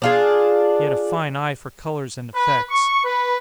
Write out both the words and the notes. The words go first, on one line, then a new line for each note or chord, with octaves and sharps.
He had a fine eye for colors and effects.
D4 F4 G#4
B4
C#6
B4